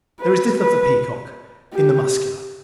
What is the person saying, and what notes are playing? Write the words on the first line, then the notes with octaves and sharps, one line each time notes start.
There is little of the peacock in the Muscular.
B4
B4
G4